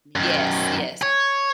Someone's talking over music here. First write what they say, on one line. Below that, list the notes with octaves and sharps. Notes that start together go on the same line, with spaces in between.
Yes, yes.
F#2 D#3
C#5